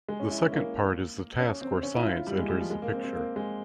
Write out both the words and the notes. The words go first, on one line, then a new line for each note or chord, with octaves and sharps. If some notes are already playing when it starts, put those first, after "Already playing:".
The second part is the task where science enters the picture.
G#3
C#4
E4
C#4
A#3
C#4
C4
C#4
E4
F4
E4
G3
G#3
G3
F3
G#3
A#3
C4
C4
A#3
G#3